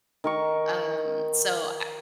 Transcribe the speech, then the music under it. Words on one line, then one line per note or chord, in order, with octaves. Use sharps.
Um, so I
D#3 A#4 C#6